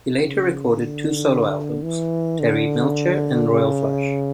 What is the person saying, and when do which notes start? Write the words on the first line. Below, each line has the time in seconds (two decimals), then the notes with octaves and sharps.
He later recorded two solo albums, "Terry Melcher" and "Royal Flush".
0.16 C#3
0.72 D3
1.82 E3
2.39 D3
3.50 C#3